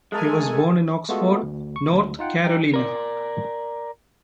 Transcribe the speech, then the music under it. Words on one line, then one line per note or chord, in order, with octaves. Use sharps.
He was born in Oxford, North Carolina.
G#3 A3 A4 A#4 G#5
G#3 A3 B3 F4 F#4 A4
D2
C#6
D2
D#4 F4 F#5 G5
D#4 G5
A#4 D5